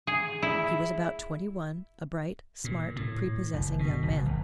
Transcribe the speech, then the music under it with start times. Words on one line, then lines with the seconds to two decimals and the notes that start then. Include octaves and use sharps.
He was about twenty-one, a bright, smart, prepossessing young man.
0.07 G#4
0.42 E4
2.64 A#2
2.96 A2
3.54 F#1
3.79 B2
4.03 F#1
4.26 G#1